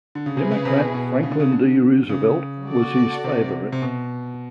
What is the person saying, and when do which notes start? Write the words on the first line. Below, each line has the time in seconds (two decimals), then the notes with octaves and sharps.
Democrat Franklin D. Roosevelt was his favorite.
0.15 D3
0.26 C#3
0.37 C3 E4 G#4 B4
0.51 C#3
0.65 C3
0.79 B2
0.94 B2
1.23 C#3
1.31 D3
1.40 C#3
1.52 D3
2.09 C#3
2.66 F#4 A4 D5
3.24 C3
3.72 C3
3.82 B2